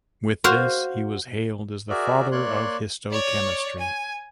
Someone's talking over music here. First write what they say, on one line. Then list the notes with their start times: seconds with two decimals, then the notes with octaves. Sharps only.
With this, he was hailed as the "father of histochemistry".
0.44 F#4 C5 F5
1.89 F#4 G#4 A#4 D5 E5
2.32 A#3 C#5 D5 C6 F#6
3.11 C#5 D5
3.79 G#5